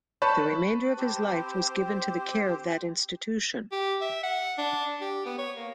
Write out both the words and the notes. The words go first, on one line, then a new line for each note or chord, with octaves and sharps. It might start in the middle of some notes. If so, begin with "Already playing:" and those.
The remainder of his life was given to the care of that institution.
B4 C#5 A5 B5 C#6 E7
C4 G4 C5
G4
E5
F#5
D4
G4
B3
C#5
A#3